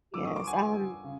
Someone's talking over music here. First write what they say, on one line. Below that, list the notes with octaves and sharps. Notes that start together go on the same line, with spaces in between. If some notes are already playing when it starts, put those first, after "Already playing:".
Yes. I'm
G2 D3 F3 D6 E6
C#6 D#6
C6 D6
F#5 G#5
C#3